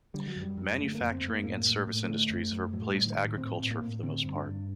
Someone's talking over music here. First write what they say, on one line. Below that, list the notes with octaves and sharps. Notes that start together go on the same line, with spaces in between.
Manufacturing and service industries have replaced agriculture for the most part.
D3 G3
F#3
F#2 G3
F#2
D3 A3
A#3
F#2
C4
F#2
A#3
A2 A#3
A2
A2
A#3
D3 A3
F#2
F#2
A2 F#3
A3
G3
A2 F#3
D#3
A2
A2 C4
C4
A2
A#3
A2
D3 C4
G2
D4
G2